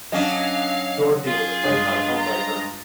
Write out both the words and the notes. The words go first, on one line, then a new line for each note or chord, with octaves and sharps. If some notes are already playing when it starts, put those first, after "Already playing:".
Dorothy was a full-time homemaker.
F#3 C#4 D4 D#5 F5
F4 G#4
G2 G#3
A#5